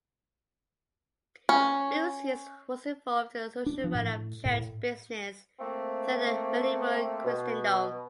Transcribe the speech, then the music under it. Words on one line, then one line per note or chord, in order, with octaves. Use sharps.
Lucius was involved in the usual running of church business throughout medieval Christendom.
C#4
D4
F3
A2
A2
A3 A#3 C4
B2